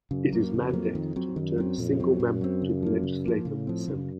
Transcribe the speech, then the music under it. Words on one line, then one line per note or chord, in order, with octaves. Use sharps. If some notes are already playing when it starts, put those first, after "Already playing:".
It is mandated to return a single member to the Legislative Assembly.
F#2 C#3
F#3 A#3
F2 C#3
F#3 A#3
D#3
F#3 C4
F#2 D#3
F#3 C4
F2 A#2
F#3 C4
F#2 A#2
F#3 C4
C#3
F3 A#3
C#3
F3 A#3
A2 C#3
F3 C4
F#2 C#3